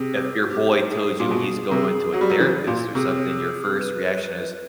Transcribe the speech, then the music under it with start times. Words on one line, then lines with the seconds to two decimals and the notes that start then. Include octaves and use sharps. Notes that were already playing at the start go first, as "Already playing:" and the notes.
if your boy tells you he's going to a therapist, or something, your first reaction is,
Already playing: C3 G#4
0.41 F#4
0.49 G4
0.90 G#4
1.20 A#2
1.31 B2
1.71 C3
2.13 F#3
2.21 G3
2.30 F#3
2.40 E3
2.67 A#2
2.95 C3 G#4
3.77 B4